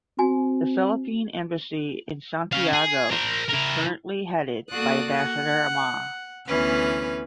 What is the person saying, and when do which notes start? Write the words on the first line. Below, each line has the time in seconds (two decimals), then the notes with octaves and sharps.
The Philippine Embassy in Santiago is currently headed by Ambassador Ma.
0.19 C4 F#4 G#5
2.53 C#4 F5
2.73 G#4
3.11 A#4 C5
3.49 E4 A#4
4.70 A#3 F#4 A4 D5 D#6 F#6
5.15 F#5
6.48 D2 E3 B3 C#4 B4 F6